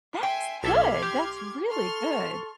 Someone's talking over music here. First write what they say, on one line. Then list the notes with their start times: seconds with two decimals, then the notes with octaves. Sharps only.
That's good! That's really good.
0.23 E5 G5 G#5 C6
0.63 B1 A4 E5 C6 D6 F6 G#6
1.02 G4
1.69 A4 C6 C#6 F6